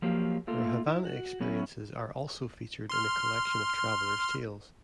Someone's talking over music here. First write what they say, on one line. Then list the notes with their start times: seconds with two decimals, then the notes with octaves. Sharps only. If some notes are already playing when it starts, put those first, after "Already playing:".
Her Havana experiences are also featured in a collection of travellers tales.
0.02 F3 F#3 A#3 G4
0.47 A3 A#3 F4 A4
0.86 E4
1.05 F#4
1.41 F#3 B3 C#4 E4
2.90 C6 F6